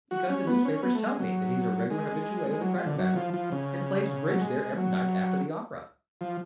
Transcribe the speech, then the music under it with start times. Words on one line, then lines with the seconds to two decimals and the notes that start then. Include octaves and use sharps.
Because the newspapers tell me that he is a regular habitue of the Crackerbaker and plays bridge there every night after the opera.
0.11 F#4
0.30 C#4
0.47 B3
0.65 C#4
0.83 B3
0.95 A3
1.07 G#3
1.19 F#3
1.90 G#3
2.50 G#3
2.62 F#3
2.74 F3
2.86 D3
2.98 F#3
3.16 F3
3.34 F3
3.52 C#3
4.31 F#3
4.41 G#3
4.77 F#3
6.21 F3